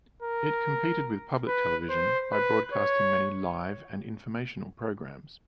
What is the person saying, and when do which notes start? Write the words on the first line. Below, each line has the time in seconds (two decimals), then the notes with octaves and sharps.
It competed with public television by broadcasting many live and informational programmes.
0.22 A#4
1.47 B4
1.89 C5
2.32 B4
2.73 C#5